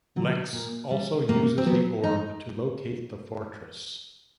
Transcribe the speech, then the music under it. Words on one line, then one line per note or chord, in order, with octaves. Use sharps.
Lex also uses the orb to locate the fortress.
D3 F#3
A#2
G3
A2 A#3
C4
F#3 B3
G2 D#4